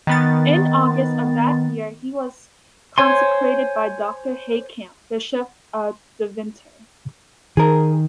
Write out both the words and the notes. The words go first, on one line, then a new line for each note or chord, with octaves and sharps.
In August of that year he was consecrated by Doctor Heykamp, bishop of Deventer.
D#3 B3 A6
C5 C#5 G#5 C6
D#3 G#4 A#4